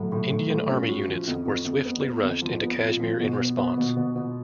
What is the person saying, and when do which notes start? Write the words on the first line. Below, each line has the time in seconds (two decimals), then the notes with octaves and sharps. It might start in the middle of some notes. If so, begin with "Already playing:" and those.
Indian army units were swiftly rushed into Kashmir in response.
Already playing: A2 F#3
0.12 A2
0.31 A2
0.50 A2
0.69 C#4
0.89 F#4
1.08 F3
1.28 F2
1.46 F2
1.65 F2
1.85 B3
2.04 B3
2.23 F2
2.42 F3
2.61 B3
2.81 F4
3.00 F3
3.20 B2
3.38 B3
3.58 B3
3.77 B2
3.96 B2
4.16 B2